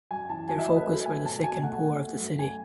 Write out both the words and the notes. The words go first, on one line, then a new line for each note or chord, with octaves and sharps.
Their focus were the sick and poor of the city.
F#2 G#5
E3 A5
F#3 G#5
E5
A3 D#5
B4
F#3 A4
A3 G#5
B2 A5
B2 G#5
A3 F#5
A3
A3
F#2
A3 G#5